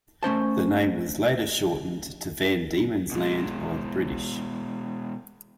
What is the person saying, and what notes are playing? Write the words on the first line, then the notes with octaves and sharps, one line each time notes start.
The name was later shortened to Van Diemen's Land by the British.
A3 C#4 C5 A5
B2 G#3